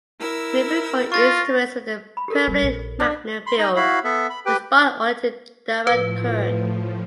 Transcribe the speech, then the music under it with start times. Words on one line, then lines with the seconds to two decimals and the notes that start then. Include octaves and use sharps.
Moving-coil instruments with a permanent-magnet field respond only to direct current.
0.19 E4 A#4 E6
1.12 F4 C#6 A6 A#6
2.17 B5
2.28 G4 A4 A#4
2.48 G3 D4
2.62 A#1
3.00 D4
3.47 B5 C6
3.58 D#4 D#5
3.76 E4 F#4 F5 B5
4.04 B3 A4 E5
4.30 B5
4.46 G4 B4 G5
5.87 A2 F3 B4